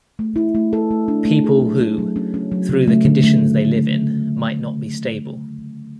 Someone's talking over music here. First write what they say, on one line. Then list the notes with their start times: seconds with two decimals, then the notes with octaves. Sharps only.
People who, through the conditions they live in, might not be stable.
0.19 A3
0.36 E4
0.55 A3
0.73 A4
0.91 A3
1.08 D4
1.25 A3
1.44 G#4
1.62 F#3
1.80 A3
1.98 F#3
2.16 C#4
2.34 C#4
2.52 F#3
2.69 C#3
2.88 A3
3.05 D3
3.24 A3